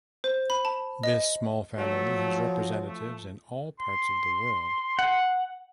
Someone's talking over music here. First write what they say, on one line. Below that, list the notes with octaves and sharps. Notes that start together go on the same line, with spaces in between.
This small family has representatives in all parts of the world.
C5
B5
A5
D#5
F3 F#3 A3
A3
C6
F#5